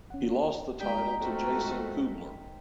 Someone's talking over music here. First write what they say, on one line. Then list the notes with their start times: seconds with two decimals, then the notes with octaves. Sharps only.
He lost the title to Jason Kubler.
0.10 C#4 F#5
0.80 G3 G#3 D#4 G5 B6
1.20 F2 A3 F#4 A#4 C5 G5